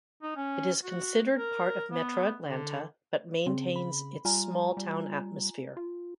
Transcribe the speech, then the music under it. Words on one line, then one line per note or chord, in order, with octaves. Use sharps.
It is considered part of metro Atlanta but maintains its small town atmosphere.
D#4
C#4
F#4
A#4
B3
D3
C#3 C4
B5
G3 F4 G#5 A#5
G3
F4